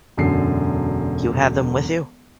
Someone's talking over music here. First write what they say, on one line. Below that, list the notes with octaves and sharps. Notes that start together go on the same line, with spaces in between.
You have them with you?
E1 F#2 D3 C7